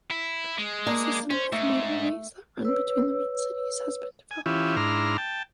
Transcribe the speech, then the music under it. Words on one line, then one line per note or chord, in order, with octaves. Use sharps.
A system of motorways that run between the main cities has been developed.
E4
G#3
A#3 D4
C#4 C5
G#2 A3
B4 C#5 E6
G#5
E3 C#4 E4 F4 G4
G#2 D4 E4 A#5 C6 F6
G5 A5